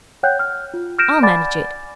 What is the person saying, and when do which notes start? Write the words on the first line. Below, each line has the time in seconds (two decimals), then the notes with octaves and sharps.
I'll manage it.
0.23 C#5 F#5 G5 F#6 G6
0.39 F6
0.74 F4
0.99 F6 G6 A#6 D7 E7
1.23 D5 F#5 G#5 B5 D6 A6